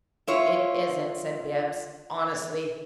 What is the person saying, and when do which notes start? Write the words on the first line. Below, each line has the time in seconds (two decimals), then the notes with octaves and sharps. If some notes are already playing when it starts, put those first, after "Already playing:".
"It isn't," said BIBBS, honestly.
0.27 E4 F4 C#5